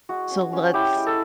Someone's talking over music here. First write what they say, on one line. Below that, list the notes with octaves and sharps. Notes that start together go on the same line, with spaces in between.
so let's
G#3 F#4
C#4
C#4
E4 G4
G#3
A4